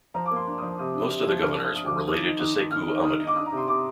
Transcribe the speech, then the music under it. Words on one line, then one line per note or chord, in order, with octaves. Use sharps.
Most of the governors were related to Seku Amadu.
F3 A#5
A#3 D6
C6
D4
D#6
F3
C3 D#6
D4
C3
F3
D4 F6
F3 D#6
D4 D#6
D6
F3
D#3 D#6
D#4
D#3 D#6
D#3
D#3 F6
D#4
D#3 D#6
D#4
D6
D4 D#6
A#5
C3
C6
C3 D6